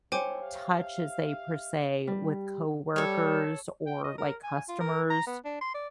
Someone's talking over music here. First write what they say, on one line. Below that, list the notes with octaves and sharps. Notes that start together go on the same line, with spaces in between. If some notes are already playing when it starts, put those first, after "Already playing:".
touch, as they per se, with coworkers or, like, customers
E2 G#2 D3 C5 C#5 G5 G#5 D6
G4 E5 F5
G3
G3 A4 C#5
G5
D#5
A#4
G#5
F4
A#4
A#5
B3
D4
C6
D5